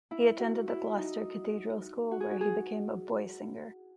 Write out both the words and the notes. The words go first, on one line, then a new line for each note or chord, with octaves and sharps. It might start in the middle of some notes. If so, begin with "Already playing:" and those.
He attended the Gloucester cathedral school, where he became a boy-singer.
E4
F#4
E4
D#4
F#4
G#4
F#4
G#4